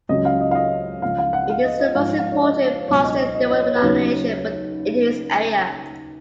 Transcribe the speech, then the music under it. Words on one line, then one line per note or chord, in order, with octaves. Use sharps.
It is the most important Protestant denomination in this area.
C#2 C#3 F#3 D#5
F5
D#5
F5
D#5
C#2 C#3 F3 F5
F5
F#5
F5
D#5
D#5
G#2 F3 F5
F5
C#5
D#5
C#5
C#2 B2 F#3 C#5
D#5
D#5
D#5
D#5
C#5
B4
D#2 C#3 F#3 C#5